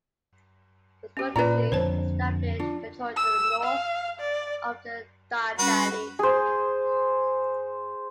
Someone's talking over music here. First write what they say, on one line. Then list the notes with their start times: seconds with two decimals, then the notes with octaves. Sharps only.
The Scordisci established control to the north of the Dardani.
1.17 C#4 G4
1.36 A#2 C#4 F4 B4 D5 A#5
1.72 F2 D3 C5 C#5 A5
2.60 D4 F4
3.17 E6
3.63 F5
4.20 D5
5.59 G3 C#4 F#4 B4
6.19 G#4 C5